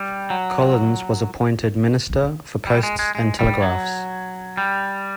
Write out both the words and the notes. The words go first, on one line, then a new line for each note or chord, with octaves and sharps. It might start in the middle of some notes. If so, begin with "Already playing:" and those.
Collins was appointed Minister for Posts and Telegraphs.
Already playing: G3
F#3
G3
G#3
G#3
G#3
G3
F#3
G3